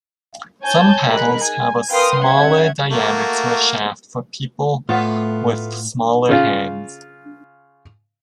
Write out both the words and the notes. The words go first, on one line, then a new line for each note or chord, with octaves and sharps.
Some paddles have a smaller diameter shaft for people with smaller hands.
C#5 G#5 A5 G6
D#4 G#4 A#4 B5 F#6
G#5
A#4 B4 F5 G5 C6 D#6
C#4 E5 F#5 G#6
A3 A#3 F#4
A2 A3 B3 F4
C#3 F4